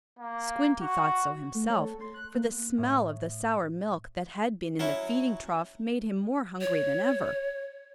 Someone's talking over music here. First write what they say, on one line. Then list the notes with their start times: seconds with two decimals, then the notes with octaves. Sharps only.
Squinty thought so himself, for the smell of the sour milk that had been in the feeding trough made him more hungry than ever.
0.19 A#3
0.81 F#4
1.54 A3
1.70 C#5
1.84 A4
2.00 C6
2.14 F#6
2.35 A#3
2.78 A2
4.79 F#3 C#4 E4
6.61 C#5